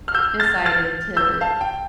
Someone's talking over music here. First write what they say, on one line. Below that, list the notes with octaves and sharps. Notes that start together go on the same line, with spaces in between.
decided to
F6
E6 G6
F6 A6
F6 A6
E6 G6
F5 A5
G5